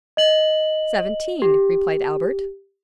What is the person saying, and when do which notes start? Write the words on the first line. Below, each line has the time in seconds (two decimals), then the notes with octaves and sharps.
"Seventeen!" replied Albert.
0.17 D#5 F#7
1.42 G4